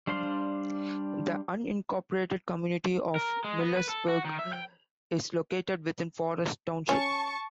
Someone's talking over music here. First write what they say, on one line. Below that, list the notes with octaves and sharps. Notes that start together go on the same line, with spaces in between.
The unincorporated community of Millersburg is located within Forest Township.
G3 D4 C5 F5 C6
A#4
G#3
B3
B4
A4
F#4
D#3
E5
G5
C#4 A5 C#6